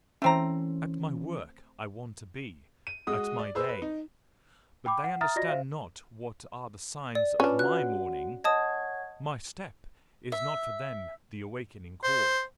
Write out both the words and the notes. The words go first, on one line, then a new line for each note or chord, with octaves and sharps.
At my work I want to be, at my day: but they understand not what are the signs of my morning, my step--is not for them the awakening-call.
E3 A3 C4 C#4 A#5
D#7
G#3 F#4 D#6
D5
G#4 B4 C5 E6
B4
D#4
G5 B5 D6
F#5
E5 A#5 D#6 F6 A6
F4 F#4 D5 D#5 A#6
C5 E5 F5
D5
C#4 D4 F4 B4 F6
F#4 F#5 F#6
C#5 D#5 F#5 A5 D#6 G#6
E5
C5